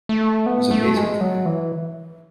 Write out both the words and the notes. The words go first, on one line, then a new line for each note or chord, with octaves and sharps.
That was amazing to me.
A3
B3
A3
G#3
F#3
E3